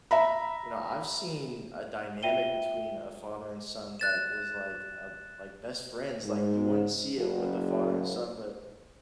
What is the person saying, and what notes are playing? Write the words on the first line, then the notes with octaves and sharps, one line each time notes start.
you know, I've seen a dynamic between a father and son that was, like, uh, b like best friends, like you wouldn't see it with a father and son, but,
E5 A#5 B5
F4 E5 G5 D#7 G7
F#6 A6 E7
G#2
F#1